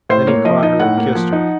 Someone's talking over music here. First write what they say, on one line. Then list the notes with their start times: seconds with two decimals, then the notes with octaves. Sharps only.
Then he caught her and kissed her.
0.09 A2 C5
0.27 A#3 C#5
0.45 F3 D#5
0.62 D#4 D#5
0.79 A2 F#5
0.97 A#3
1.15 F3
1.33 D#4